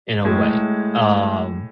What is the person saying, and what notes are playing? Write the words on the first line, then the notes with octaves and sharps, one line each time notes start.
in a way, um,
A2 G#3 G#6